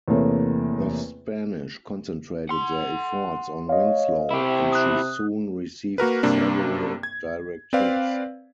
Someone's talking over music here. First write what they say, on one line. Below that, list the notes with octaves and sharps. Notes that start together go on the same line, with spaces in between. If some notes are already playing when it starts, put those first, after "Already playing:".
The Spanish concentrated their efforts on "Winslow", and she soon received several direct hits.
E2 C3 A3 A#3 C#5
F#5 C6
C#5 D#5 F5
C3 E4 G4
D#6 F#6
A#3 F#4 A#4 B4
G2 C3 A#3 D4
G#6
C4 B4 D5 F5